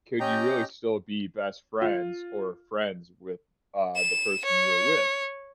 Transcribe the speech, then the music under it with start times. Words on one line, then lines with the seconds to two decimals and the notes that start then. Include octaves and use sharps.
could you really still be best friends or friends with, uh, the person you are with?
0.20 C#4 G4 D#5 G5 A#5
1.81 F4
3.96 E7
4.45 C#5